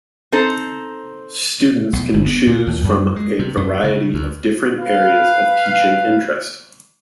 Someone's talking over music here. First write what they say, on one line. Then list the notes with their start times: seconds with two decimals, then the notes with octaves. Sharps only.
Students can choose from a variety of different areas of teaching interest.
0.32 C4 D#4 A4 C5
1.93 B1
2.14 G1
2.26 B3
2.47 A#2
2.67 D#2
2.84 F#2
3.16 G#3
3.39 C3
3.57 F#2
3.84 C#3
4.14 D2
4.79 B4 F5